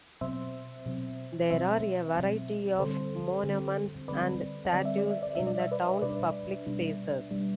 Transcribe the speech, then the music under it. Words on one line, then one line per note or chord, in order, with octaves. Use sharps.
There are a variety of monuments and statues in the town's public spaces.
B2 F#3 C4 C5 E5
B2 F#3 C4
B2 F#3 C4 C5 E5
B2 F#3 C4
D3 G3 C4 A4 C5
D3 G3 C4
D3 G3 C4 B4 D5
D3 G3 C4 D5
E5
D5
E5
D5
B2 G3 D4 E5
D5
E5
B4 D5
B2 G3 D4 B4 D5
B2 G3 D4
B2 G3 D4